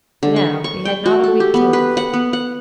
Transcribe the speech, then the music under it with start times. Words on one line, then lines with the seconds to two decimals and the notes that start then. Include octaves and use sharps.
For now he had not a week to live.
0.23 D3
0.36 C#6
0.64 C#6
0.85 G5
1.06 F#4
1.24 A4
1.40 G4
1.54 B3
1.73 B4
1.97 F#5
2.14 B3
2.33 F#5